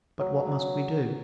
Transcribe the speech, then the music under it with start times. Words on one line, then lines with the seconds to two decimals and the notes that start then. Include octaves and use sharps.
But what must we do?
0.20 F#3